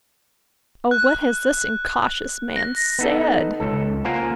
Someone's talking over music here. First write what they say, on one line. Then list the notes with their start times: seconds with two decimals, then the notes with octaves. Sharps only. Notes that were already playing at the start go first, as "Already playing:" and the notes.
O what has this incautious man said!
0.91 F#6
2.56 A#6
2.99 B3 D#4 A4
3.60 C#2 A4
4.05 A#3 F4 A#4 C5 F#5 G#5